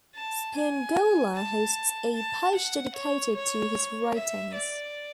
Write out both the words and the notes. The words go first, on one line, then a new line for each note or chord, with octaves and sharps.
Spingola hosts a page dedicated to his writings.
A5
G#5
A5
A5
F#5
C#5
C#5
E5
D5